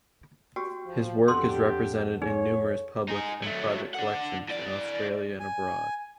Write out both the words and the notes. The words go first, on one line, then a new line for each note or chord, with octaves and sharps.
His work is represented in numerous public and private collections in Australia and abroad.
F#4 G4 G5
F3
F2 B3 D4 G4 A4 F#5 C6
D#4 G#4 C#5
D#4 G#4
F#3 A3
D4 F#5
A2 D5
G#5